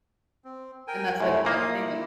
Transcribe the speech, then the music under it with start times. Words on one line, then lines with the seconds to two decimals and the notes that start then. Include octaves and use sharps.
And that's, like, another thing, like,
0.44 C4
0.88 A#4 G5 G#5
1.20 C2 F#2 A3 E4
1.45 A#2 A#3 F5 D#6
1.77 E4